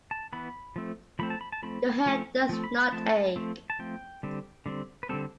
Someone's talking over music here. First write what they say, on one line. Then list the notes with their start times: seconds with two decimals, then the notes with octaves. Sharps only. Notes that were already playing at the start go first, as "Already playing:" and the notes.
Your head does not ache.
0.11 A5
0.33 E3 B3 B5
0.76 F3 A3 C4
1.19 F3 A3 C4 B5
1.30 A5
1.41 B5
1.52 A5
1.63 F3 A3 C4 B5
2.06 F3 A3 C4
2.49 F3 A3 C4
2.64 B5
2.78 B5
2.92 F3 A3 C4 A5
3.36 F3 A3 C4
3.70 A5
3.79 F3 A3 C4 G5
4.23 D3 G3 C4
4.66 D3 G3 C4
5.03 B4
5.09 D3 G3 C4 A4